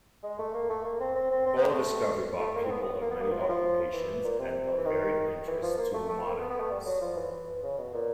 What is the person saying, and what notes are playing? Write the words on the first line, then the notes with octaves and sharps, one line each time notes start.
Oil discovery brought people of many occupations and of varied interests to Monahans.
G#3
A3
A#3
A3
A#3
C4
C4
C4
C4
B3
A3
A3
A#3
C4
B3
A#3
B3
A#3
F3
F#3
F3
E3
A#2
C3
E3
D#3
E3
F3
A#3
A3
A3
A#3
B3
B3
A3
G3
F#3
F3
E3
C#3
B2
A#2